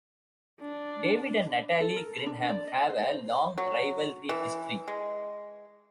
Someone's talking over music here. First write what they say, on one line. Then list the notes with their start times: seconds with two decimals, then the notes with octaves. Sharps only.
David and Natalie Grinham have a long rivalry history.
0.61 D4
1.81 A4
1.96 A#4
2.26 D4
2.49 D5
2.67 D#5
2.90 C5
3.03 C5
3.58 F#3
4.29 E3
4.88 G#3